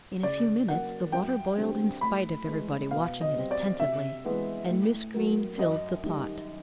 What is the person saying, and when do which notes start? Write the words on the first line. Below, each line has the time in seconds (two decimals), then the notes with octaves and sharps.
In a few minutes the water boiled in spite of everybody watching it attentively, and Miss Green filled the teapot.
0.23 C#3 D5
0.68 F#3 A#3 F#5
1.12 F#2 G5
1.58 D3 G3 C4
2.01 A2 B5
2.46 E3 G#3
2.91 B2 F5
3.21 D#5
3.36 G3 C4
3.51 D5
3.80 C3 E5
4.25 E3 G#3 B3
4.69 A2
5.14 F#3 A#3
5.58 F#2 D#5
6.03 D#3 G3